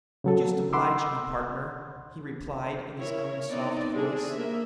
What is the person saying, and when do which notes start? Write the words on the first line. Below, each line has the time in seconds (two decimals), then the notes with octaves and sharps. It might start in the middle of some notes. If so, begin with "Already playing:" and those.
"You just oblige me, partner," he replied in his own soft voice.
0.24 C#3 F#3 A4
0.73 F#5 B5 C6 D6 E6
2.97 E4 A#4 C#5
3.49 B3 C4 D#4 D5
3.92 G3 C4 D4 G#4 A4
4.32 A#3 E5